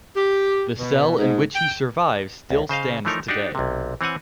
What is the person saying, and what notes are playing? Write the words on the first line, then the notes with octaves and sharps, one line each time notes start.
The cell in which he survived still stands today.
G4
B2
G#2
G5
C#2
C#3 C5 D#5 F5
E3 F3 A3 D#4 A#4 C#5
D4 D#4 F#4 G4 F#5
B1 C3
E3 C4 C#5 F#5 G#5